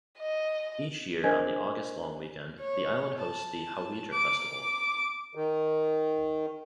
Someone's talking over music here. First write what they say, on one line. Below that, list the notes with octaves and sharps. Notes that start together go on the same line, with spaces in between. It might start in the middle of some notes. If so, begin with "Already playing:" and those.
Each year on the August long weekend, the island hosts the Haweater Festival.
D#5
D4 A#4 C5 D#5 G#5 G#6
C#5
A5
D6
D#3